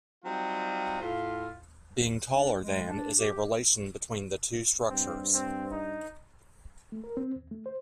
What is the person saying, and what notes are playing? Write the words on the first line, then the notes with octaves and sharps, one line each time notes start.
Being-taller-than is a relation between the two structures.
F#3 G3 C4 D#4 F4
A2 F4
D4
G#3
D4
G4
G2 C4
C4
D#4
A3
A#4
C4
D#2
A3
C5